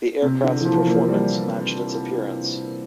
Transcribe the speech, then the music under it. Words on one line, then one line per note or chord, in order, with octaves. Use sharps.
The aircraft's performance matched its appearance.
C3
D3
E3
F3
A#3
G3